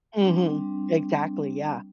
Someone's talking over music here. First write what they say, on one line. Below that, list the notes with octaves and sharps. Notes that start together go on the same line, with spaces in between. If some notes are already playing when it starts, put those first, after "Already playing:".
Mhm, exactly, yeah.
G3 C4 D4